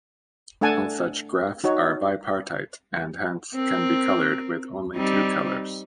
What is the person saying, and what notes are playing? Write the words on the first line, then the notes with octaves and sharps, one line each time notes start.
All such graphs are bipartite, and hence can be colored with only two colors.
A3 D4 A4 F#5 G#5 A5
D#4 F#4 C#5
C4 A#4
G3 C4 D#4